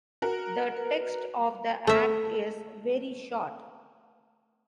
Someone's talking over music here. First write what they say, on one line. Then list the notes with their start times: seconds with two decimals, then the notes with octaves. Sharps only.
The text of the Act is very short.
0.22 F#4 A#4
0.77 B4
1.87 A3 E5